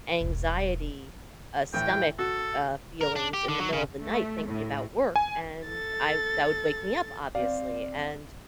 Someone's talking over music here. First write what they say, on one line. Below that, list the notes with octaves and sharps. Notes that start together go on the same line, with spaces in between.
anxiety, uh, stomach, uh, feelings in the middle of the night thinking about work, and I that would wake me up, obviously, and
E1 B1
A2 E3 G5
F#4 A4
A#4
D4
G4
D3
F#3
C#3
A3
A2
G#5
A4 A6
C4 D5 F5